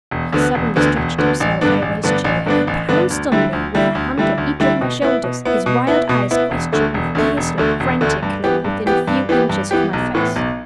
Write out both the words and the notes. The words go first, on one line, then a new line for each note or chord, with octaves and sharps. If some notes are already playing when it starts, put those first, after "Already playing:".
He suddenly stretched himself over his chair: he pounced on me, with a hand on each of my shoulders; his wild eyes questioned me fiercely, frantically, within a few inches of my face.
E1
D2 D3 B3
E1
D2 D3 B3
E1
D2 D3 B3
A1
G2 D3 B3 D4
A1
G2 D3 B3 D4
A1
G2 D3 B3 D4
A1
G2 D3 B3 D4
D2
D3 G3 E4
D2
D3 G3 E4
D2
D3 G3 E4
D2
D3 G3 E4
B2
B3 E4
B2
B3 E4
B2
B3 E4
B2
B3 E4
E1
D2 D3 A3
E1
D2 D3 A3
E1
D2 D3 A3
E1
D2 D3 A3
G2
E3 B3 G4
G2
E3 B3 G4
G2
E3 B3 G4
G2
E3 B3 G4
B1
A2 E3 B3
B1